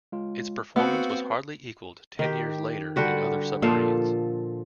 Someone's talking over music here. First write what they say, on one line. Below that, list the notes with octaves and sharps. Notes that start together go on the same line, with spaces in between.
Its performance was hardly equaled ten years later in other submarines.
G#3 F4
B3 C4 F#4 F5 F#5 E6
D#3 G4
D3 G3 F#4 G4
A#2 F3 A4 F5